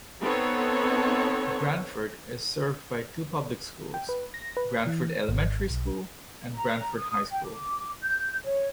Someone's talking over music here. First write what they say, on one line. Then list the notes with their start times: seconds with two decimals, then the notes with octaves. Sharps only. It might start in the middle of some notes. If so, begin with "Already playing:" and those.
Branford is served by two Public Schools, Branford Elementary School and Branford High School.
0.22 B3 C4 D#4 A4 C#5
3.94 G5
4.09 B4
4.34 A#6
4.57 B4
4.87 E3
5.28 G#1
5.70 B1
6.54 A#5
6.97 D#6
7.31 G5
7.44 D6
8.03 G6
8.44 C#5